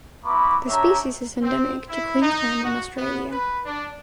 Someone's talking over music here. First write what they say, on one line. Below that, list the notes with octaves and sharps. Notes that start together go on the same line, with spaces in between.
The species is endemic to Queensland in Australia.
B3 E4 A#5 B5 C#6 D6
D4 G4 C#5 E5 A#5
C4
E4
D#4
F#4
B3
B4
D4